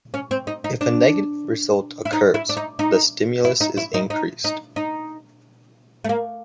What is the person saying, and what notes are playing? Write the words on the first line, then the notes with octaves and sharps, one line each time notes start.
If a negative result occurs, the stimulus is increased.
C#4
C4
D#4
D#4
D4
E4
D#4
E4
D4
D#4
D#4
E4
D#4
E4
D#4
D#4
D#4
D#4
A3
A#3